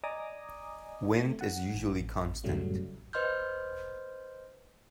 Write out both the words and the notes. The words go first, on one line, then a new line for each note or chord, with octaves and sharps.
Wind is usually constant.
D5 D#5 G#5 A#5 D6 D#6
A3
F#5
A1
F#2 A2 C#3 F#3 G3 A3
B4 C5 D#5 C6 F6 G6